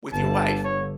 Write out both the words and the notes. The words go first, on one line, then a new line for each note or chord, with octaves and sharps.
With your wife.
G1 D3 A5
C#5